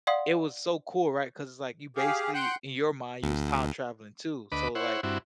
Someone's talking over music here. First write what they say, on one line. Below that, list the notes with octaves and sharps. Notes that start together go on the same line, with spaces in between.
it was so cool, right, 'cause it's like, you basically in your mind, you was time traveling too, so, it was like,
D5 F5 F#5 C6 D#6
G4 G#4 F5
F#5 G5 C6 F#6 G6
D2
D2 B4 D#5 B5 D6
E4 C5 C#5 F#5
G2 C4 E4 F#4